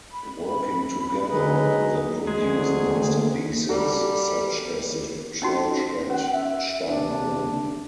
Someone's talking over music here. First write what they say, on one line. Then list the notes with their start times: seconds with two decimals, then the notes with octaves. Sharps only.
Working together they produced masterpieces such as the church at Steinhausen.
0.12 B5
1.28 D3 F#3 G#3 D#4 G#4 B4 D#5
2.27 D2 G#3 G#4
2.96 D3 A3 A#3
3.69 G3 F#4 A4 A#4
5.42 C#4 D#4 F#4
6.10 C#4 F#5
6.33 E5
6.88 C3 D4